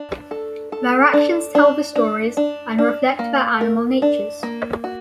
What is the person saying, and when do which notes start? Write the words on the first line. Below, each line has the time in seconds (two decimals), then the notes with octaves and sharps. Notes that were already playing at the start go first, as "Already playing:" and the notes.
Their actions tell the stories, and reflect their animal natures.
Already playing: D4
0.31 A4
0.72 A4
1.13 D4
1.55 D4
1.96 D4
2.37 D4
2.78 D4
3.19 A#3
3.61 A#4
4.02 D4
4.43 A#3
4.84 F#4